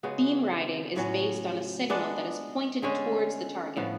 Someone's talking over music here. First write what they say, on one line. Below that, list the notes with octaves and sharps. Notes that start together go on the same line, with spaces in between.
Beam riding is based on a signal that is pointed towards the target.
C#3 G#3 B3 F#4
A2 F#3 C#4
G#3 B3 D4
D3 G#3 C#4
A2 F3 B3